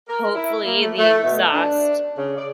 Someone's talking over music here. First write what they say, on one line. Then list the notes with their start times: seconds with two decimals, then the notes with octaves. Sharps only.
hopefully, the exhaust
0.07 A#4
0.34 E4
0.64 A#3
0.80 A3
0.98 A3
1.23 B2
1.52 D4
2.16 C#3
2.37 D5